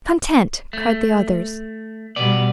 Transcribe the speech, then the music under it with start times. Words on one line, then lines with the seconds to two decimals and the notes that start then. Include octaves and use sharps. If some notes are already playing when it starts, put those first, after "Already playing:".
"Content," cried the others.
0.73 A3
2.16 B2 G3 B3 D5